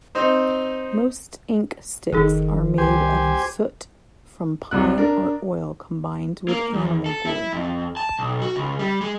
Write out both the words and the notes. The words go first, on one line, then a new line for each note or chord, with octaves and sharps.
Most inksticks are made of soot from pine or oil combined with animal glue.
C4 D#4 C5
F#1 D#3 D#4 G#4 A4
C2 G4 C5 G#5
C2 C3 F#6
D4 A#4
A#3
E2
A4
E4
F2
A5
B1
F#4
C#2
G3
G#3